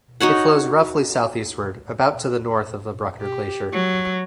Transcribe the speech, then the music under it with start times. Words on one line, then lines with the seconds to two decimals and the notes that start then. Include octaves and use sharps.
It flows roughly southeastward about to the north of the Bruckner Glacier.
0.20 D#4 F#4 C#5 F#5
3.20 G4
3.72 F#3